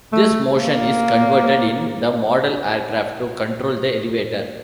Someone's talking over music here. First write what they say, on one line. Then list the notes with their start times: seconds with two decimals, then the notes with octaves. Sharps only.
This motion is converted in the model aircraft to control the elevator.
0.12 A3
0.57 A#3